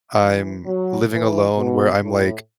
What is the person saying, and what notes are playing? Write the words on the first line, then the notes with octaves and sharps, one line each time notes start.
I'm living alone where I'm, like,
E3
F#3
E3
B2
A2